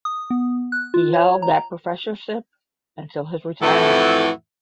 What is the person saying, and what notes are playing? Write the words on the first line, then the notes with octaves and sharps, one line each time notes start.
He held that professorship until his retirement.
D#6
B3
F#6
F4
C#5
A#5
F2 A2 E3 F#4 A4 E5